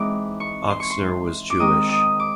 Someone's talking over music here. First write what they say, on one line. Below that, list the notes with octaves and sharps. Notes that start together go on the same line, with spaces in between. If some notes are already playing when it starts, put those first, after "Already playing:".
Oksner was Jewish.
Already playing: E3 G#3 C4 D#4 D6
C#6
C6
C#6
C6
D6
D#3 G#3 C4 D#6
D#6
D6